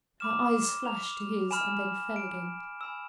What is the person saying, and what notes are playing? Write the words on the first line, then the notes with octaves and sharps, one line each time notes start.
Her eyes flashed to his and then fell again.
B5 D6 F6 E7
F7
G#5 B5 F6 E7
D7
G#5 B5 E6 E7